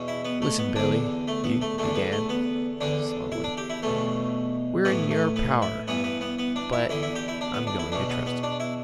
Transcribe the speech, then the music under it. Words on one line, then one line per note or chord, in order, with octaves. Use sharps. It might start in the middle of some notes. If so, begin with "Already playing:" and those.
"Listen, Billy," he began, slowly; "we're in your power, but I'm going to trust you."
Already playing: E2 B2
E4
B3
A3
B3
E2 D3 D4
A3
B3
A3
E2 D3 A3
B3
A3
B3
E2 D3 D4
E4
D4
G4
E4
E2 B2 A3
A2 E3 B3
A3
B3
E4
G2 E3 B3
B3
B3
B3
D4
E4
E2 D3 E4
E4
G4
E4
D4
B3
D4
E4
E2 B2 D4
B3
B3
D4
E4